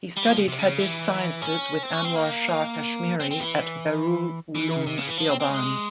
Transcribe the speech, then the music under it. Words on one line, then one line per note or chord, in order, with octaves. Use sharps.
He studied hadith sciences with Anwar Shah Kashmiri at Darul Uloom Deoband.
G3
F3
C#3
C3
C#3
E3
C#4
C4
C#4
C4
A#3
C4
C4
E3
E3
C#3
C3
C#3
E3
F3
C4
C4
G#3